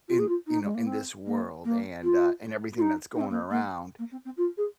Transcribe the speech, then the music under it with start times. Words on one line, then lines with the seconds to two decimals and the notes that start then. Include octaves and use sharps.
in, you know, in this world and, uh, and everything that's going around.
0.08 F4
0.19 G#4
0.28 F4
0.47 D#4
0.62 G#3
0.74 A#3
0.86 C4
1.25 A#3
1.64 A#3
2.03 F4
2.77 F4
2.81 D#4
3.15 D#4
3.20 C4
3.30 A#3
3.50 A#3
3.98 A#3
4.11 C4
4.25 C4
4.37 F4
4.57 G#4